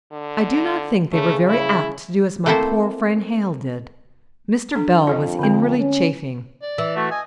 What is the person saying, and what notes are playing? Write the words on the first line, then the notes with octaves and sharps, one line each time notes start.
I do not think they are very apt to do as my poor friend Hale did.' Mr. Bell was inwardly chafing.
D3
C#3 A3
E4
A3 A#3 C4 E4 A4 C5
D4 A4
F2 F4 A4 D#5
D3 C4
C#4
D5
E3
A3 F#4
D#5 G#5